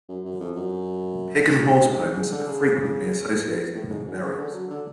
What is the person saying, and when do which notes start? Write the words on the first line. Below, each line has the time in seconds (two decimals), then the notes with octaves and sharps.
Pig and horse bones are frequently associated with the burials.
0.09 F#2
0.25 F#2
0.40 F2
0.56 F#2
1.84 G#2
1.99 G#2
2.16 C#3
2.32 D3
2.47 C#3
3.75 A2
3.90 G#2
4.06 F#2
4.22 C#3
4.38 D3
4.54 F#3
4.70 D3